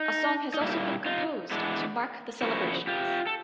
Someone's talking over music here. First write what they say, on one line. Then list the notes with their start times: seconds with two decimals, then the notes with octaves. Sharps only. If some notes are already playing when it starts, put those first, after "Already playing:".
A song has also been composed to mark the celebrations.
Already playing: D#4
0.54 D#4
0.61 A#2 G3 A#3 E4
1.06 D#4 F4
1.51 E3 G#3 B3 D4
2.42 C#3 F3 A#3 E4 F#4
2.87 F4 G4
3.27 A4